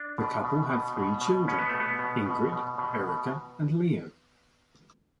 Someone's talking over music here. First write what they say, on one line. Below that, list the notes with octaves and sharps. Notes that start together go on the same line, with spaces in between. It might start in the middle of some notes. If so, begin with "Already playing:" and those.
The couple had three children: Ingrid, Erika, and Leo.
Already playing: D4
B2
B2
B2
B2
B2
B2 C#4
B3
B2 A3
B3
B2
B2
B2
B2
B2